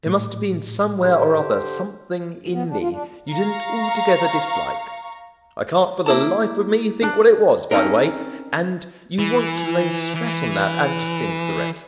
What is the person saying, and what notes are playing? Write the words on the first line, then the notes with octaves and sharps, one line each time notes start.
There must have been somewhere or other something in me you didn't altogether dislike--I can't for the life of me think what it was, by the way; and you want to lay stress on that and to sink the rest.
A2
D3 G4 C5
G2
B3
D4
F4
D4
F5 A#5 C#6
A#3 E4 A5
D4
C4 C#4 D#4 A4 A#4
E3
E3